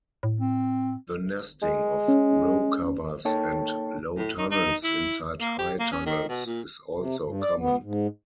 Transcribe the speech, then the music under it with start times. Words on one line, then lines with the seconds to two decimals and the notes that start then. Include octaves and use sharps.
The nesting of row covers and low tunnels inside high tunnels is also common.
0.23 A2
0.40 C4
1.63 G#3
2.08 C#4
3.25 A#3 D#4 A4 C#5 G5 A5
4.17 A2
4.38 D#4
4.51 D#4
4.84 E4
5.41 A#3
5.59 G4
5.79 A#3
5.92 C#4
6.06 D#3
6.29 B2
6.46 A#2
6.94 C3
7.25 G2
7.42 D5
7.59 B3
7.83 G#2